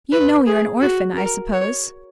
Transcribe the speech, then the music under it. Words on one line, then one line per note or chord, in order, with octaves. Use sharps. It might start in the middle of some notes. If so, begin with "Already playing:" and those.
You know you're an orphan, I suppose?'
B4
G#4
F#4
A#4
C#5